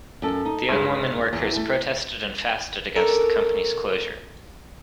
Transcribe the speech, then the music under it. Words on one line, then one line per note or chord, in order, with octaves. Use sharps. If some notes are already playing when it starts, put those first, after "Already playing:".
The young women workers protested and fasted against the company's closure.
F#2 A4
D#4
G2 G#3
E2
A3
C#4 D4 A4 A#4 A5